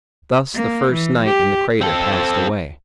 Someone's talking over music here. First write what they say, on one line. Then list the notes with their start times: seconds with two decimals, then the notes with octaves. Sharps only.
Thus the first night in the crater passed away.
0.54 A#3
0.93 E3
1.24 G4
1.81 C4 A4